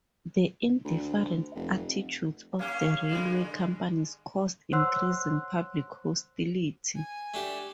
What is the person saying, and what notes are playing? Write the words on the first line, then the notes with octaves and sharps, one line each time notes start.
The indifferent attitudes of the railway companies caused increasing public hostility.
D2
F1
A#3 C#4 G4 C#5 F5
D3 G3 G#3
C5 C#5 F#5 C6 E6 F#6
G#5
A3 D4 G4